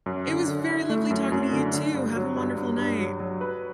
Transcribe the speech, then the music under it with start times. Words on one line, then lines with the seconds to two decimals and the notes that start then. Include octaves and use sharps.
It was very lovely talking to you too. Have a wonderful night.
0.06 F#2
0.27 D3
0.48 D3
0.69 E4
0.90 A3
1.11 F#2
1.32 F#2
1.52 D3
1.74 D3
1.94 G2
2.16 F#3
2.36 G2
2.57 G2
2.78 G2
2.99 F#3
3.20 F#3
3.41 B4